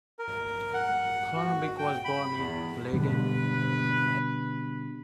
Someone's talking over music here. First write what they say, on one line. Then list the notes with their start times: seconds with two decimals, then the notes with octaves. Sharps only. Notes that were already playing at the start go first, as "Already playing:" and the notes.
Hoornbeek was born in Leiden.
0.19 A#4
0.74 F#5
1.36 F#4
1.78 G5
2.05 B5
2.37 E2
2.93 B2 D3 G3 B4